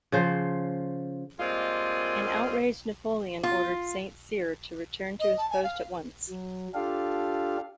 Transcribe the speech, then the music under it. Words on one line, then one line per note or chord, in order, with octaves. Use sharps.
An outraged Napoleon ordered Saint Cyr to return to his post at once.
C#3 F3 C5
G3 G#3 A#3 C4 F4 D#5
F4
D#5
A5
G#5
F5
F#3
D4 F4 G4 A4 F5